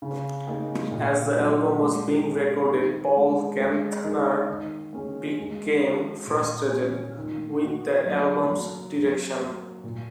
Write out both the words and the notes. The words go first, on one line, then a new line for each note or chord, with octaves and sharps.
As the album was being recorded, Paul Kantner became frustrated with the album's direction.
C#3
A#3 D#4 G#4
A#2
F#3 A#3 D#4 F#4
G#3
C#4 G#4
D#3
G#3 C#4 G#4
G#3
D#4 G#4
D#3
A#3 C#4 G#4
G#3
F#4
A#2
A#3 C#4
D#3
A#3 F#4
F#3
A#3 F#4
F#3
A#3 F#4
A#2